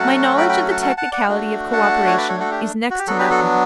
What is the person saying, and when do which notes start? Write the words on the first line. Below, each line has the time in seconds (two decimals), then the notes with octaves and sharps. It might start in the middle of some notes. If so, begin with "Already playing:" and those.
My knowledge of the technicality of co-operation is next to nothing.
Already playing: F#3 A3 C#4 F#4 F#5 A5
0.38 G5 B5
0.49 G5 B5
0.71 F#5 A5
0.82 F#5 A5
0.97 F#5 A5
1.12 D5 F#5
1.27 A3 D4 F#4
1.73 F#5 A5
2.07 C#5
2.18 B4 D5
2.29 A4 C#5
2.40 F#4 A4
2.51 G4
2.91 F#4
2.99 G4
3.07 F#3 B3 D4 F#4 A4
3.19 G4 B4
3.30 F#4 A4